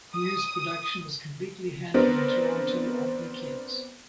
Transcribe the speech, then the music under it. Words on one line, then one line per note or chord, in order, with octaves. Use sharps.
News production is completely handled in Toronto on weekends.
D#6
B3 C4 D4 A#4